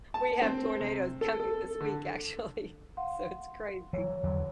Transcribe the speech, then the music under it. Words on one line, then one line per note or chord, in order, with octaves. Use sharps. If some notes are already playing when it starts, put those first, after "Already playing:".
We have tornadoes coming this week, actually, so it's crazy.
A5
C4
C3
A4
A4
D3
F5 F#5 C6
E3 F#3 C#5
E2 D3 F#3